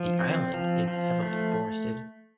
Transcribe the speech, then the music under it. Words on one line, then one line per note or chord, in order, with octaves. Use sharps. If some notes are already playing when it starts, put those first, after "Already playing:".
The island is heavily forested.
Already playing: F3
C4
F3
F3
A3